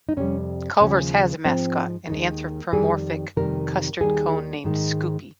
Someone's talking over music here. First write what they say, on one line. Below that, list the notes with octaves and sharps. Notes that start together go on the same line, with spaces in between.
Culver's has a mascot: an anthropomorphic custard cone named Scoopie.
D#4
F2 C3 G3 C#4
D#2 C#3 F3 G#3 C#4
G#2 F3 G#3 C4
D#2 D#3 G#3
F2 D#3 G3 G#4
F2 C3 D#3 G3 A#4
D#2 D#3 G3 G#4
G#2 D#3 G#3